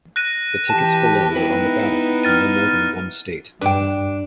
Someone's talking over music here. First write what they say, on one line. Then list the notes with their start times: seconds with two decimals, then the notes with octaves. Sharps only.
The tickets below were on the ballot in no more than one state.
0.16 F#6 A#6 D#7
0.70 E3 G4 A5
1.36 B3 D#4 E4 B4 G5
2.23 F6 A6 D#7
3.61 G2 D4 B4 G5